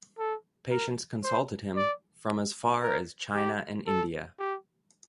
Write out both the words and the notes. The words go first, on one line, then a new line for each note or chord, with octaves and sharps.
Patients consulted him from as far as China and India.
A4
A#4
C5
D5
A#4
G4
A4
G4